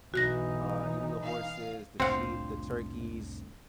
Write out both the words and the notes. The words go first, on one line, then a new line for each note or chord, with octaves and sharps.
uh, even the horses, the sheep, the turkeys,
B1 E3 D#4 F#4 F#6 A#6
F5
C2 F2 A2 D3 C4 C5 F5 F#5